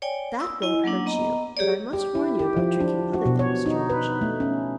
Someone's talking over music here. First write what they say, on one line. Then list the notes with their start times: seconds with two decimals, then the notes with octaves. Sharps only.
'That won't hurt you; but I must warn you about drinking other things, George.
0.02 C#5 D5 G5 G#5
0.39 D#6 E6
0.62 E4 D#5 G#5
0.84 F#3 A#3 C#4 D4
1.06 B3 D#5 A#5
1.57 G4 G#4 C#5 D5
1.93 G4
2.15 E4
2.39 G4
2.57 F3
2.80 D4
3.13 F#4
3.26 B2
3.39 C#5
3.66 D#4
3.90 B4
4.21 A3
4.40 C#4